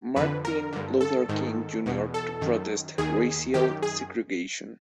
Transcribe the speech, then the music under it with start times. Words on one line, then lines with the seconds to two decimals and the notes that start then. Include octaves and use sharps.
Martin Luther King Junior to protest racial segregation.
0.16 F2 D3 B4
0.45 A#4
0.73 G2 D3
1.01 A4
1.29 G#2 D#3
1.86 E2 B2
2.14 A4
2.41 F#2 D#3
2.98 D#2 D#3 G#4
3.54 F#2 D#3 G4
3.83 G#4